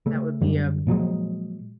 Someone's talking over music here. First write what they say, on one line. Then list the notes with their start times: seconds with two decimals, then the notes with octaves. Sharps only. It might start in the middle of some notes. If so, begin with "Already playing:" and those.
that would be a
0.06 C#3 A3
0.41 F#2 D3 G3
0.87 A#2 F3 F#3 G#3